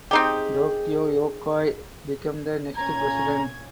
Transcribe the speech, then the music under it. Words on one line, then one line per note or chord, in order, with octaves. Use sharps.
Tokio Yokoi became the next president.
C4 D#4 G4 G#4
A#2 C#4 A#5 G#6